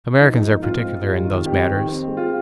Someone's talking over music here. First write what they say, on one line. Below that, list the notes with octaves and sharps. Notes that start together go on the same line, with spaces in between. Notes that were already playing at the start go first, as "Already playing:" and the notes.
Americans are particular in those matters.
F3 D#4
D#4
G#2
D#4
C4 F4
G#2
G3
D#3
F2 G4
D#3
C4
G#3
F4